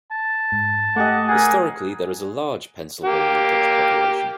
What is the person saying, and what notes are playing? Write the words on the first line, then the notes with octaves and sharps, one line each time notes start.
Historically there is a large Pennsylvania Dutch population.
A5
G#2
A3 G4 D#5 F#5 G#5 D6
G#4 A#4 F#5 G#5
A#3 G4